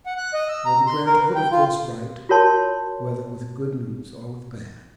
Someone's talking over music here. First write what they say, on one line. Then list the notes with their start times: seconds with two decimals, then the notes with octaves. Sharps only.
Lady Grant would of course write whether with good news or with bad.
0.06 F#5
0.18 F#6
0.34 D#5
0.49 E6
0.65 A#5
0.87 C6
1.06 A#4
1.20 B4
1.35 G5
1.51 F4
2.29 F4 F#4 A#4 C#5 A5 C6